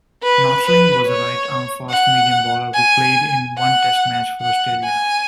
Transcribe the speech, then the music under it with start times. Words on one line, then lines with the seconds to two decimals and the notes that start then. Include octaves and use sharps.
Nothling was a right-arm fast-medium bowler who played in one Test match for Australia.
0.23 B4
0.65 B4
1.07 C#5
1.90 F#5
2.74 G#5
3.58 F#5
4.41 F#5
4.84 G#5